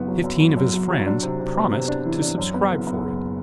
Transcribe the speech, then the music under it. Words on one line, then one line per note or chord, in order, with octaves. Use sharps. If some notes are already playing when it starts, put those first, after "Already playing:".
Fifteen of his friends promised to subscribe for it.
Already playing: F#1 B3
F#3
F#2
F#2
F#2
F#3
F#3
D4
C3
C3
B3
C3
D4
E3
D4
F#2
B3
F#1
B3
F#1